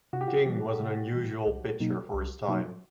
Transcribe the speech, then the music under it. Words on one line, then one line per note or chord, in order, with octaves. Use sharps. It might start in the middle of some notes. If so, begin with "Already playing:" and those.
King was an unusual pitcher for his time.
C3 F#4
G4
F#4
E3 G3
C3
E3 G3
C2
B2 F#3 A#3 D#4
C2
B2 F#3 A#3 D#4